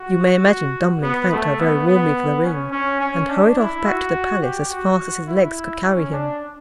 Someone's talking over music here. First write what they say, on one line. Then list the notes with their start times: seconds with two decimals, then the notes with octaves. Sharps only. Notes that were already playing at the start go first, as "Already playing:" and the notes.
You may imagine Dummling thanked her very warmly for the ring, and hurried off back to the palace as fast as his legs could carry him.
Already playing: F#4
1.02 B3
1.32 A3
1.60 B3
1.88 B3
2.44 C#4
2.72 C#4
3.01 C#4
3.29 D4
3.58 E4
3.86 F#4
4.42 G4
4.70 F#4
5.27 E4
5.83 C#4
6.12 D4